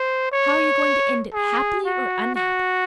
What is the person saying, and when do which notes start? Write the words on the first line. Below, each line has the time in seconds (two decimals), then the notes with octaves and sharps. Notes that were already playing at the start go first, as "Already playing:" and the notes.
"How are you going to end it--happily or unhappily?"
Already playing: C5
0.32 C#5
1.34 G#4
1.85 F#4
2.36 F#4